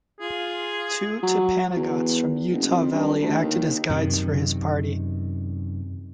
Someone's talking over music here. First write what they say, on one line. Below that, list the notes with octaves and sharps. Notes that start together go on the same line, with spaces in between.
Two Timpanogots from Utah Valley acted as guides for his party.
F4 G#4
F#3
E2
F#1
F2
G2
D2
D#2
F#2 C3 D#3